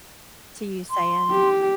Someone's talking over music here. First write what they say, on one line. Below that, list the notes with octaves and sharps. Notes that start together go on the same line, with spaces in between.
to you saying,
C6
G4